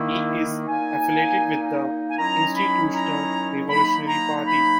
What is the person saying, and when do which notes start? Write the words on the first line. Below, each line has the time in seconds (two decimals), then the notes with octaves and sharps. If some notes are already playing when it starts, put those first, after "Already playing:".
He is affiliated with the Institutional Revolutionary Party.
Already playing: D#3 A#3 E4
0.67 A#2 A#3 D#4 G#5
2.10 G#5
2.18 D#3 F#3 C#4 E4 A#5
2.56 B5
2.94 A#5
3.69 D#3 F#3 A#3 D#4 B5
4.07 A#5
4.46 B5